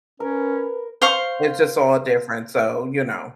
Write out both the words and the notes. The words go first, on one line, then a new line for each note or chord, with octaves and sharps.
It's just all different, so, you know.
C#4 A#4 B4
C5 F5 C#6